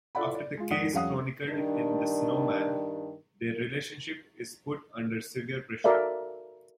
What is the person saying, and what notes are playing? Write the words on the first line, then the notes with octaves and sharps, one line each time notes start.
After the case chronicled in "The Snowman", their relationship is put under severe pressure.
E4 F4 A4 D5 F#5 B5
D5
G#3 F4
F2 G#2 D#3 D5 F#5 D#6
F2 G3 C#4 F5 F#5 D#6
G2 D#3 D4
F#4 A4 A#4 D5 E5 F5